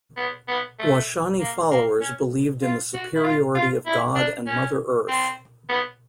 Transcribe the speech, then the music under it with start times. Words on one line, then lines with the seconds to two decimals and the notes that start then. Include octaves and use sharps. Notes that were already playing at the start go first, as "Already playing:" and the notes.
Washani followers believed in the superiority of God and Mother Earth.
0.17 B3
0.48 B3
0.79 A3
1.40 A#3
1.71 A#3
2.01 C#4
2.62 F4
2.94 F#4
3.15 E4
3.24 F4
3.55 F4
3.86 E4
4.15 D4
4.47 C#4
5.08 C4
5.69 B3